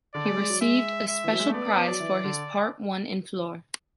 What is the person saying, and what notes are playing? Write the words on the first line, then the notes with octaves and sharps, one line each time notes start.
He received a special prize for his part won in Flohr.
D3 D5
G#3
G#3
F#3
G#3 E5
E5
E3
F#3
G#3
A3
B3 D5
B3
B3
F#3
E3
D3